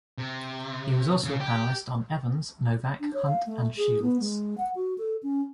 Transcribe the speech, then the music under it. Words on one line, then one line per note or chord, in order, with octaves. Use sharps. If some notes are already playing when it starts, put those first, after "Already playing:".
He was also a panelist on Evans, Novak, Hunt, and Shields.
C3
C#3
G4
D4
C#5
F5
A3
G#4
B3
G#3
F#5
F#4
A4
C#4